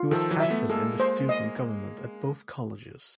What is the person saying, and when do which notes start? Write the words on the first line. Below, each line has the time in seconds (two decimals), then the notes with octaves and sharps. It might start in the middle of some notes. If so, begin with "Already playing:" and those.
He was active in the student government at both colleges.
Already playing: F4
0.11 D#3 F3 A4
0.30 E3 F#3
0.40 E5
0.50 A3 B3
0.69 G#3 A#3 A4
1.00 C5
1.29 D#5